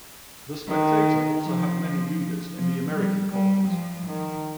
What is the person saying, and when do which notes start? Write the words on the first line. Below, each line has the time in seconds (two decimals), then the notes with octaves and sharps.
"The Spectator" also had many readers in the American colonies.
0.69 D#3
1.44 F3
2.57 F3
2.94 G3
3.31 G3
3.69 F3
4.07 D#3